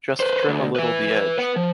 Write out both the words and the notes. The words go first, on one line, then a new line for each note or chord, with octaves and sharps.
Just trim a little the edge.
B4 C5
D2
B4 E5
B4 F#5
F3